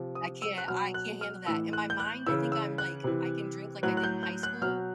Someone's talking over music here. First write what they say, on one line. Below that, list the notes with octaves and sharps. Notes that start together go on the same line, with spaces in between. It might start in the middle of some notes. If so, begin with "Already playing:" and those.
I can't I can't handle that. In my mind, I think I'm like, I can drink like I did in high school,
Already playing: C3 F3
D#6
E6
F#6
B2 F#3 F6
F#6
F6
A2 E3 E6
F#6
G6
F#6
C#3 E3 E6
E6
F#6
C3 E3
A2 F#3 F#6
F#6
G6
G6
F#6
B2 F#3 F6